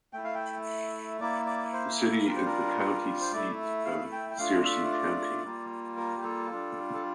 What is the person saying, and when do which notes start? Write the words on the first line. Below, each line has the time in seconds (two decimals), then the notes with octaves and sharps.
The city is the county seat of Searcy County.
0.13 A3 E4 G5
0.24 F5
0.35 G5
1.20 A#3 E4 D5
1.46 D5
1.73 C5
2.00 A4
2.26 G3 D4 F4 A#4
2.36 C5
2.46 A#4
3.20 C5
3.33 A3 E4 D5
3.85 F5
4.12 G5
4.30 G5
4.38 A3 D4 F4 F5
4.65 E5
4.91 D5
5.45 G3 A#3 F4
5.97 A#4
6.17 G4
6.24 A4
6.51 G3 D4 F4
6.93 A4